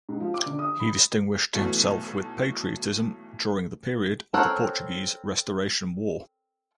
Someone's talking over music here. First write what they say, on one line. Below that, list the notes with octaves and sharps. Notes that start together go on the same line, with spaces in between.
He distinguished himself with patriotism during the period of the Portuguese Restoration War.
G#2
F3
D6
D3
D#6
B5
B1 B2 E3 F#3 A3
C4 A4 A#4 C#5 F#5